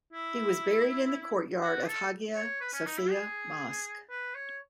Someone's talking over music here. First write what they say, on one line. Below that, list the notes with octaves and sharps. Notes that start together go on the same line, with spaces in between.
He was buried in the courtyard of Haghia Sophia Mosque.
E4
F#4
A4
C#5
B4
C#4
D#4
E4
G#4
B4
C#5